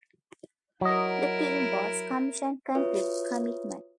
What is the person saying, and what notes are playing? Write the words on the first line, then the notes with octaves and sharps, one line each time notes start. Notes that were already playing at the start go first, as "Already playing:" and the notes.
The theme was Commission-Conflict-Commitment.
F#3 E4 A#4 D#5
F4 F#4 B4 C#5 E5 D#6